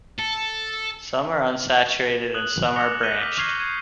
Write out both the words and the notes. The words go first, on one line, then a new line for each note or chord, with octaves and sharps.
Some are unsaturated and some are branched.
A4
D#6 F#6 F#7 G7
D6 A#6 C#7 F7 G7
F#6 G6 B6 C#7 D#7 G7
F6 B6 D#7 F7
C#6 F6 G#6 C7 D#7 G7
G6 G#6